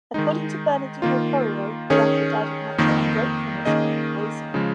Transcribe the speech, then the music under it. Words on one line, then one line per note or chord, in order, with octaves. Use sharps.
According to Bernardino Corio, Bianca "died of natural ungratefulness more than poison".
D#3 G#3 D#4
D#3 A#3 F4
D#3 C#4 G#4 C#5
F2 D#3 A#3 D#4
D#3 A#3 C#4 G#4 D#5
C#3 F3 G#3